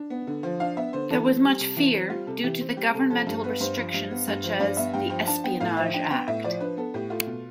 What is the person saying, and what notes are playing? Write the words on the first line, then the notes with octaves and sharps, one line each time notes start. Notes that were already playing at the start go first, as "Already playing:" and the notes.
There was much fear, due to governmental restrictions such as the Espionage Act.
Already playing: D4
B3
D3
F3
D4 F5
B3 E5
D3 C5
E3 A4
C4
G3
C3
E3
C4
G3 F4
C3 A4
E3 G4
C4
G3 G4
C3 A4
F3 A4
G2 A4
B3 B4
G2 C5
F3
G2
B3
G2
F3
G2 D5
B3 E5
G2 G5
F3 G5
D4 A5
B3 G5
A2 F5
F3 E5
D4 G5
B3 G5
A2 E5
F3 D5
D4 B4
B3 A4
A2 G4
A3 F4
B2